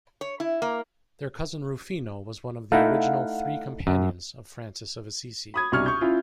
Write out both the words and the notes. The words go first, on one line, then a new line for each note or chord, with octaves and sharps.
Their cousin Rufino was one of the original "Three Companions" of Francis of Assisi.
C#5
E4
A#3
A3 D#4 E4 F5 F#5
F#2
B5 D#6 G#6
C2 B2 D4 C#6 F6 G#6
C#6 G6
C#4 E4 F4